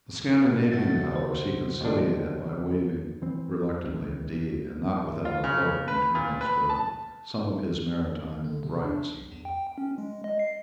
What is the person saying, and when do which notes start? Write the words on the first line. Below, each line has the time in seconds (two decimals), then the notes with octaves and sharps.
The Scandinavian powers he conciliated by waiving, reluctantly indeed, and not without a hard internal struggle, some of his maritime rights.
0.72 C#2 B2 A3 A6
1.16 C5
1.81 D#2 D4
3.22 E3 C4
3.85 D#2 D#3 E3
5.25 F4
5.44 C#3
5.88 B4
6.15 A#2
6.41 B4
6.70 A5
8.44 D3
8.63 C3
8.84 D4
9.14 B1
9.32 E2
9.45 G5
9.78 C#4
9.98 G#3
10.24 D#5
10.39 C7